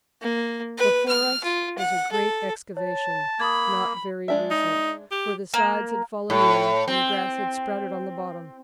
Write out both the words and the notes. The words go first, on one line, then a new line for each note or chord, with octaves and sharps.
Before us was a great excavation, not very recent, for the sides had fallen in and grass had sprouted on the bottom.
A#3
B4
F6
F4
F#5
A4
C#5 A5
A#3 B5 D#6 G#6
G#3 D4 E5
D#4
G4
A#3
A2
C4